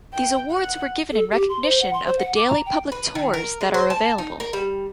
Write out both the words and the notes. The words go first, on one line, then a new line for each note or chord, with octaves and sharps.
These awards were given in recognition of the daily public tours that are available.
G5
F#5
A4
G4
C6
C5
F#5
C6
C5
F#5
D6
A#5
G5
B4
D#3
A#4
G#3
C5
A5
D#4
A#4
G3